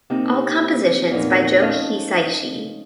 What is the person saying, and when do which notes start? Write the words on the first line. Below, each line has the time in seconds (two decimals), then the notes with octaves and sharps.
All compositions by Joe Hisaishi.
0.10 C3 A#3 D#4 G6
1.11 E2 A#2 D#4
1.62 F3 C#4 A4 D#5 F5